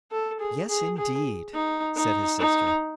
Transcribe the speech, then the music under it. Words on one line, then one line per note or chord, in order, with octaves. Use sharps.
"Yes, indeed!" said his sister.
A4
G#4
G#4
G#4
D#4
D#4
D#4